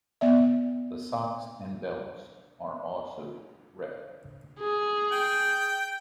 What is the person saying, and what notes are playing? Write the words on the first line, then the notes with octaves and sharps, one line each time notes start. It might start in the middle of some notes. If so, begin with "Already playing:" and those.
The socks and belts are also red.
B3 D5 E5
G#4
G5